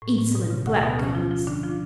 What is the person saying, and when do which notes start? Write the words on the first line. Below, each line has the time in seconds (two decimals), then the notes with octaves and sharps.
"Insolent blackguards!"
0.02 A2
0.19 A2
0.35 B2
0.50 C#3
0.67 D2 D3
0.83 B2 B3
0.98 C#3 C#4
1.15 F3 F4
1.31 F3 F4
1.47 D3 D4
1.63 F3 F4